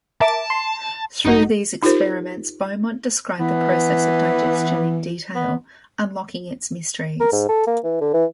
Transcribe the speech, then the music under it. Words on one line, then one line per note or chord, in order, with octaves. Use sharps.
Through these experiments, Beaumont described the process of digestion in detail, unlocking its mysteries.
A#4 E5 A5 D6
C6
A1 G2 D#4 F#4 D#5
D#4 F4 G4 A#4 C5
E3 B3
B3
A#4
G#2
A4
A#3
E3
D3
E3